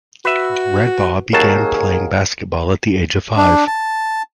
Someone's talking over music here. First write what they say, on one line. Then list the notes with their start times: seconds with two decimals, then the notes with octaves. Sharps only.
Radebaugh began playing basketball at the age of five.
0.25 F#4 B4 E5
1.33 D#2 F#3 G#4 A#4 A5
3.37 D4
3.67 A5